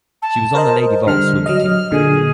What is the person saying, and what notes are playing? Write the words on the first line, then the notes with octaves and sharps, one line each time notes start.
She was on the Lady Vols swimming team.
A5
A#4 C5 D#5
D3 G3 F6
F#3 D#5 F6
A#2 D3 G#4